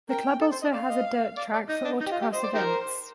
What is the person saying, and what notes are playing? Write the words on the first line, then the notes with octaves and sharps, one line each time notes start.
The club also has a dirt track for autocross events.
A#4 G5
A4
C5
D#5
D5 F5
D#5
D5
D5
D#4 D#5
D4
D#4 D#5
G4
F4
G4
C5 D#5
D5
D#4 G4 A#4
C5